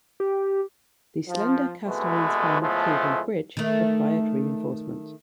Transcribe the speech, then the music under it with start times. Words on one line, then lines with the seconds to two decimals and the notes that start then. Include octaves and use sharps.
The slender cast iron span of Cleveland Bridge required reinforcement.
0.20 G4
1.29 F3
1.87 C2 B2 G#3 A3 B4
2.61 A2 F3 G#3 A3 B3
3.57 D#3 A3